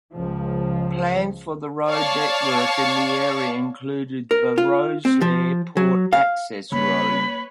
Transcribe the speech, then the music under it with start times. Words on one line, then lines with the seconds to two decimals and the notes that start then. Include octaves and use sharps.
Plans for the road network in the area include the Rosslare Port Access Road.
0.15 C#2 F3
1.89 C#5 D5 F5 A5 C#6
4.31 A#4
4.58 F4
5.05 C4
5.21 F3
5.77 F#3
6.13 F5
6.72 C#3 G3 A#3 B4 C#5 B5